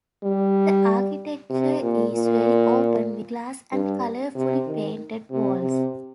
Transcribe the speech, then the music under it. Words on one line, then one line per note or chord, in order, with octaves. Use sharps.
The architecture is very open, with glass and colourfully painted walls.
G3
C3
A#2
A#2
G2
C3
D#3
C3
C3